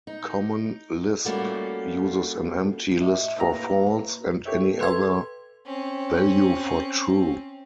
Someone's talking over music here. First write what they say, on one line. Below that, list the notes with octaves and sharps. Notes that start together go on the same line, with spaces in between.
Common Lisp uses an empty list for false, and any other value for true.
D#4
G3 A3 A#3 C#4 F4 F#4
A2 D#5 E5
A2 A#3 E4 B4 A#5
G4 A4 C#5 E5
B4 C6 G#6
C4 C#4